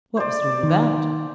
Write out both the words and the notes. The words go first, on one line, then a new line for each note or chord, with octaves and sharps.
"What was it all about."
C5 D5
D#3